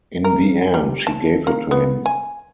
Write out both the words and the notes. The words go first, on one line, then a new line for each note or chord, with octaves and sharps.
In the end she gave it to him.
A#4
G3
A5
A#3
B3
G#5